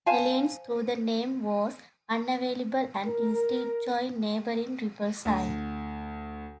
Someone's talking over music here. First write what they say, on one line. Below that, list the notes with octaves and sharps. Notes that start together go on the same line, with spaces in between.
Helens', though the name was unavailable and instead joined neighbouring Rippleside.
C5 F5 G#5 A5
A#4
D2